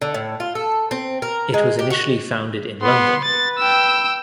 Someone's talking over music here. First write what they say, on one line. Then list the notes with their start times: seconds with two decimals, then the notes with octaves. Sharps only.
It was initially founded in London.
0.02 D3
0.14 A2
0.40 F4
0.55 A4
0.91 C4
1.22 A#4
1.54 G#3
1.79 G4
1.90 F#4
2.82 B3 C6
3.25 B4 A6
3.58 G5 E6